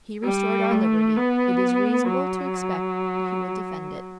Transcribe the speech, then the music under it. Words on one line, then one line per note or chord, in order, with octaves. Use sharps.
He restored our liberty; it is reasonable to expect he will defend it.
G3
A3
B3
F#3